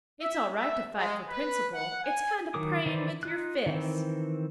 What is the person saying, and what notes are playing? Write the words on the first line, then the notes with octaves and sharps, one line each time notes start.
"It's all right to fight for principle. It's kind of praying with your fists."
E5
E5
G#3
B4
F#5
G#5
D#3 F#3 A#4 D6 D#6
D#3 E3 B4 C5 D5
D#4 F4 F#6
D#3 E3 C4